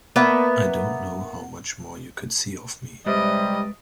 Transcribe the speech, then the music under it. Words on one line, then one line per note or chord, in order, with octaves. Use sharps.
I don't know how much more you could see of me.
A#3 B3 B4 E5
C3 G3 G#3 B4 D5 D#5